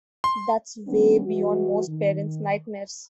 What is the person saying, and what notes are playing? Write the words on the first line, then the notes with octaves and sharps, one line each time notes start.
That's way beyond most parents' nightmares.
C6
D#3 G3 A#3 B3 C#4 D4
E3 G3 E4 F#4
D#3